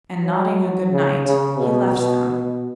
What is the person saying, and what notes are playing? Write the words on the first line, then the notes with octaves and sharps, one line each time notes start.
And nodding a good-night he left them.
F#3
C#3
C#3
B2
B2
B2